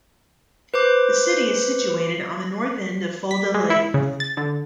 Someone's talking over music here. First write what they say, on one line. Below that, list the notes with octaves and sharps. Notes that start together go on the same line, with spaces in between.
The city is situated on the north end of Fulda Lake.
B4 C5 D6
B6
G#3
E4
C#3
A6
D3